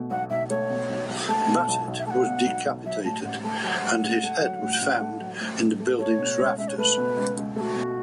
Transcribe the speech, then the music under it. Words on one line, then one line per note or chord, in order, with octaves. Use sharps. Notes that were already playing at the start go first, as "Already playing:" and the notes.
Bassett was decapitated, and his head was found in the building's rafters.
Already playing: B2 A3
B1 F#5
B1 E5
A3 C#5
B2
B1
B1
A3 A5
B2
B1
B1
E5
A3 F#5 A5
B2
B1
B1
F#3 E5
A2 A5
A1 F#5
A3 A5
F#3 F#5 A5
A2
A1
A3
F#3
A2
A1
A3
F#3
A2
A1
A3
A3 C#5
B2
C#2
C#2 E5
C#5
A3 B4
B2
C#2
C#2
A3 F#4 A4
B2